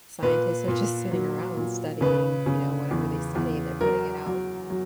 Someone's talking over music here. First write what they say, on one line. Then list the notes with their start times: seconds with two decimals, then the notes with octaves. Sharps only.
scientists are just sitting around studying, you know, whatever they study, and they're putting it out,
0.22 A#2 B4
0.68 A#2
1.11 F#3
1.57 A#2
2.01 C#3 B4
2.46 C#3
2.91 E2
3.35 E2
3.81 F#3 A#4
4.26 F#3
4.70 F#3